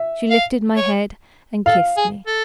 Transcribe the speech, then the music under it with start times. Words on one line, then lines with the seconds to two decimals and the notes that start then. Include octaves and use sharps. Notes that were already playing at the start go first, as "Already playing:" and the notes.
She lifted my head and kissed me.
Already playing: E5
0.30 F5
0.76 C#5
1.66 A4 F5
1.97 G#4
2.27 A4